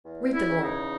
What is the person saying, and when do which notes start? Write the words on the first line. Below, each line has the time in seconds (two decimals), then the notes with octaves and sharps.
"Read them all!"
0.06 E2
0.34 E4
0.49 C#3
0.62 D#4